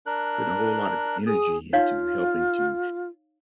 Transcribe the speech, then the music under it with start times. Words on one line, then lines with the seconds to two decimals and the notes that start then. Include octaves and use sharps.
put a whole lot of energy into helping to,
0.06 D4 A#4 F#6
1.27 G#4 D#6
1.73 D#4 F4 C#5 F5